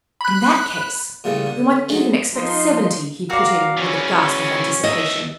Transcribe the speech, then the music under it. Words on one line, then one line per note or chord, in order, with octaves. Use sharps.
'In that case, we might even expect seventy,' he put in with a gasp of anticipation.
B5 F#6
A#2 C#3 E3 G3 A3
D3
F#3 G#3 A3
F3 D#4 C6
F#4 A#4 D5 F5
C#3 E3 C#4
B1 D#5 E5